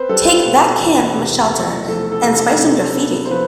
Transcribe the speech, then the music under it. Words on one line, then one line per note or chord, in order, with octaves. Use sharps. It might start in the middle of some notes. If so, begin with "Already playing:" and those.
Take that can from the shelter and spray some graffiti.
Already playing: C4 B4 C5
G3 A4
B2
E2
C3
A3
F3 A4
A4
C3
A4
C3
B3
C5
F3 B4